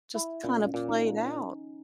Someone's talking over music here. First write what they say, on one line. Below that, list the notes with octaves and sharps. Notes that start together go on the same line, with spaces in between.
Just kinda play it out.
E4
A#2 C#4
C#4
A#2
D#4